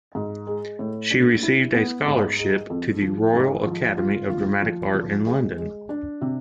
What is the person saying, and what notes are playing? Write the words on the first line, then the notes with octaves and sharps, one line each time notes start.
She received a scholarship to the Royal Academy of Dramatic Art in London.
G#2
G#3
A2
D4
E4
B3
G#2
G#3
F2
F3
G#2
F3
F4
F4
F3
F3
G#3
G#3
D4
C3